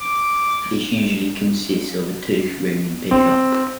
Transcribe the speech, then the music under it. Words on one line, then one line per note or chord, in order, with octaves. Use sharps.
It usually consists of a toothed ring and pickup.
D6
C4